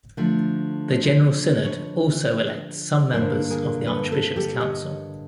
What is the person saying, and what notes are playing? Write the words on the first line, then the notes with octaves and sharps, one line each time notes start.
The General Synod also elects some members of the Archbishops' Council.
D3 F3 A3
B4 C#5
G2 D3 F3 A#3 C#4 A#4 C5
G#4 A#4
A4 B4
A4 B4
G4 A4
C#5 D#5